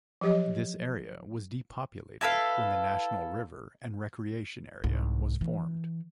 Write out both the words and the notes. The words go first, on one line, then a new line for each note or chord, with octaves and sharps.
This area was depopulated when the National River and Recreation Area was formed.
F3 F#3 G4 C#5 D#5
E4 A4 B4 F5
C2 G#2
E3